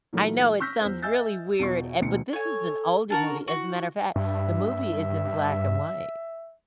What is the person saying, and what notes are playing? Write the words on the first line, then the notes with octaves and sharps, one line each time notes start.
I know it sounds really weird, a but this is an older movie. As a matter of fact, the movie is in black and white.
A#2 E3 F#3 A3 A#3 D#4
C#6 E6 F6 G6 A#6 B6
E2 C5
D#5 E5 G#5 E6 G6 A6
E2 B2 F4 C#6
E1 D2 B2 D#3 C#7
A4 C#5 G#5
D4 F#4 A#4 A5
E4 F#4
G2 E5